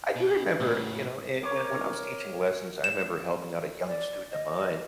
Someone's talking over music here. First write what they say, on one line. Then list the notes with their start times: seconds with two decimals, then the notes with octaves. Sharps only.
I do remember, you know, eh, when when I was teaching lessons, I remember helping out a young student of mine,
0.16 B2
0.60 A2 C#3
1.43 A#4 C#5 D6
2.84 E7
3.87 D5
4.31 D#5